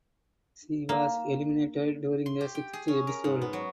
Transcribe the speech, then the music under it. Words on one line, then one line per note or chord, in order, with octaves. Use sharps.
She was eliminated during the sixth episode.
A#3
C6
G4
G5
G#4
C#4
A#4
G#2
B3
F#3